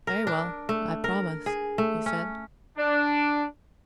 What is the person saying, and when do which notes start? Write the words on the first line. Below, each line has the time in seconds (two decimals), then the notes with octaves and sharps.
"Very well--I promise," he said.
0.07 A#4
0.27 D4
0.69 A3
1.04 A#4
1.46 G#4
1.78 A3
2.06 C#4
2.78 D4